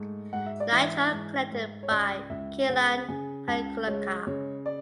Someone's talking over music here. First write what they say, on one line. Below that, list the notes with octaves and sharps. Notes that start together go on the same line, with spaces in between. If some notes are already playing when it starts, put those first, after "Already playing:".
Nitra connected by Kilian Pagliuca.
Already playing: G#2 A3
G#2 F#5
E5
D5
E3 E5
G#2
G#2
C#5
C#2 D5
C#2 E5
C#3 F#5
C#3 G#5
C#2 A5
G#3 C#5
C#3 C#5
D5